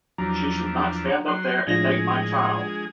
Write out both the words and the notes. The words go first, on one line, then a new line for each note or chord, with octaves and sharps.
She should not stand up there and thank my child.
E2 F3 F#3 D4 A#5
F#3 C6
A2 F3 G#3 D4 F4 G#4 A#6